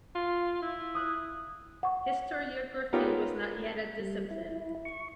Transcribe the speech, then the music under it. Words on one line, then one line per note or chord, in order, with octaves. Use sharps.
Historiography was not yet a discipline.
F4
E4
D#6 F#6
F#5 C#6
B3 C#4 D#4 F4 G4 A#4
G3
E4
C#6